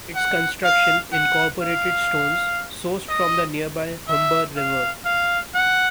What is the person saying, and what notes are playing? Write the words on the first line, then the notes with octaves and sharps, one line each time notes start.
Its construction incorporated stones sourced from the nearby Humber River.
F#5
F5
F#5
F5
D#5
E5
F5
F5
F#5